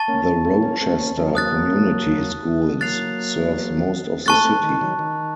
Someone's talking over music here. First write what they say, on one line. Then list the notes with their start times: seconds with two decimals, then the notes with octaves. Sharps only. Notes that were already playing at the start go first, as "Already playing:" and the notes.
The Rochester Community Schools serves most of the city.
Already playing: A5 C#6 A6
0.08 A#3 C#4
0.45 A3 C4
0.62 A#3 C#4
0.81 A3 C4
0.99 A#3 C#4
1.17 F#3 A#3
1.35 D#6 F#6 A6
2.81 F#3 A#3 F#6 A6 C7 F7
4.26 A3 C4 A5 C#6 F#6 A6
4.44 A3 C4
4.63 D#3
4.81 D#3 F#3
4.99 D#3